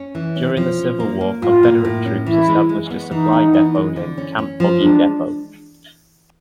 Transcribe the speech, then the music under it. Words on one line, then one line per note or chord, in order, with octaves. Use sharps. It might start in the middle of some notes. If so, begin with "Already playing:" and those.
During the Civil War, Confederate troops established a supply depot named Camp Boggy Depot.
Already playing: C#4
E3
C#4
F3
C#4
A#3
A#3
A2 F4
A#3
A2
C#4
E3 E4
G#3
G#3
B3
E3 D#4
B3
E3
G#3
D3
C#4
C#4
F3
G#3 D4